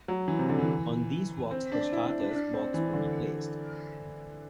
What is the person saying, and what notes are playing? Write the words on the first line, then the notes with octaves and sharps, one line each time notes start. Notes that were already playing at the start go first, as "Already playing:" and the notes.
On these walks the starter's box will be placed.
F#3
E3
C3
D3
E3
C4
D4
E4
D4
D4
D4
C4
E3
D3